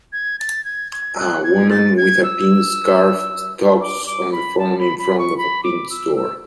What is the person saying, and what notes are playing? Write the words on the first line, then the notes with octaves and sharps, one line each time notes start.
A woman with a pink scarf talks on the phone in front of a Pink store.
G#6
A6
G#6
G#6
F#6
G#6
A6
G#6
E6
D6
D6
B5
A5
B5
B5
C#6
B5
D6
E6
E6